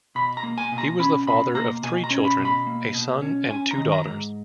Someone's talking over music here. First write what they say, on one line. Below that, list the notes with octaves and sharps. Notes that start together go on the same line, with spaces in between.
He was the father of three children, a son and two daughters.
B2 B5
A#5
A#3
G#5
B2
A#5
C#4 B5
B2 B5
A#3 A#5
B2 G#5
A#5
C#4
B5
B2
B5
A#3
B2
C#4
C#4 G#5
A#5
D#3
A#5
G#2